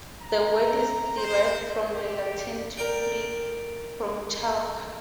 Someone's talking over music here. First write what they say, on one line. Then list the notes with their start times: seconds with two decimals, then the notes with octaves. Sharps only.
The word is derived from the Latin 'to flee from chalk'.
0.21 A#5
1.16 C5
1.95 G4
2.77 A#4 D5 G5